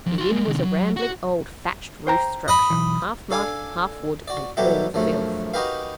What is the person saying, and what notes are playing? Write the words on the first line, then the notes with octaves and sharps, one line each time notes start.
The inn was a rambling old thatched-roofed structure, half mud, half wood, and all filth.
F2
F#4 C6
G3 G#3
C3 D#3
F#3
F#4
C5 G5 A#5
D#5 B5
B1 E3
D4 A4 F5 G#5 D6
F#4 D5
B2 F#3 G3 G4 A4 E5
A#1 F#2 F3 A3
D#4 F#4 G4 A#4 B4 F5